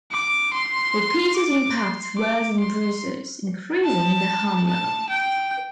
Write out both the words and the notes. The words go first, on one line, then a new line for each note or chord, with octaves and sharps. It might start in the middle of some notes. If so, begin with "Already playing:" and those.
Repeated impacts worsen bruises, increasing the harm level.
D6
C6
D6
C6
D6
C6
A5
A5
G5